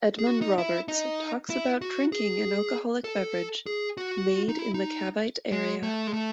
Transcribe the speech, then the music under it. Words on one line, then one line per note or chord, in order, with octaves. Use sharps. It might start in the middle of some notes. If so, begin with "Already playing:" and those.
Edmund Roberts talks about drinking an alcoholic beverage made in the Cavite area.
G#4
F#4
D#4
E4
D#4
E4
F#4
G#4
A4
G#4
F#4
D#4
E4
D#4
G#3
A3
G#3
A3